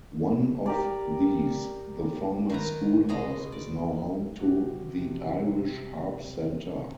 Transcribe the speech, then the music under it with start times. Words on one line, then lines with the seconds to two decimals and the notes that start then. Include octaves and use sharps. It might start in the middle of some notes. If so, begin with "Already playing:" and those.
One of these, the former schoolhouse, is now home to the Irish Harp Centre.
0.66 G4 A#4 D5
2.50 D#3 B4 A#5
3.09 B2 G#3 D#5
3.52 D5
4.40 C3 F#4 G4